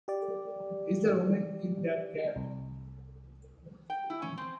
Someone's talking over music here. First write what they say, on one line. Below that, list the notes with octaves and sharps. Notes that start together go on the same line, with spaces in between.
Is there a woman in that cat?
G4 D5
C2
G5
E4
C#4
C4